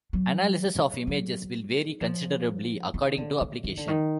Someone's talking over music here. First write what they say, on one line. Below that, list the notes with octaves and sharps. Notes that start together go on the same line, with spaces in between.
Analysis of images will vary considerably according to application.
F#3
F#3
F3
D#3
D3
D3
D#3
D3
D#3